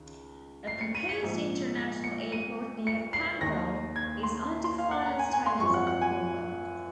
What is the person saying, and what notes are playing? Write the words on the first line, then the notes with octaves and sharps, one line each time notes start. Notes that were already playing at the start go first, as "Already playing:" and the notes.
A proposed international airport near Panvel is under final stages of approval.
Already playing: C#2 D#3
C7
C#7
D#7
C#7
A#1 G#2 F3
A#6
C#7
D#7
C#7
C7
D#2 D#3 A#6
G#6
C6
C6
F5
F#5
A#5
G#5
G#5
C6
G#1 F#2 F3 C#6
F#5
F#5
G#5